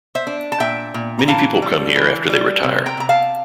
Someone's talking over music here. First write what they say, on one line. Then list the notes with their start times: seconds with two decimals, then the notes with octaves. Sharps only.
Many people come here after they retire.
0.15 C5 E5
0.27 D4
0.52 A5
0.60 A#2 E5 G5
0.94 A#2
1.19 A#5
1.28 E3 F5 A5
1.62 G3
1.96 E3
2.30 G3
2.64 C3
2.86 G5 A#5
2.97 C3 A#5
3.09 F5 A5